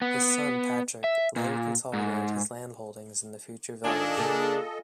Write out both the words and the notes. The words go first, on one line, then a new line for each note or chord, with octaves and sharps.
His son, Patrick, later consolidated his land holdings in the future village.
B3
E5
A#2
G#2
D#3 D4 F4 A4 D#5 G#5
C#3 A#3 G#4